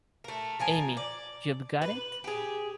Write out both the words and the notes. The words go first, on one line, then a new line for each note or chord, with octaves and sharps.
Amy, you've got it?
A3 A#4
F3 A#4 G#5
D5
B4
G4 G#4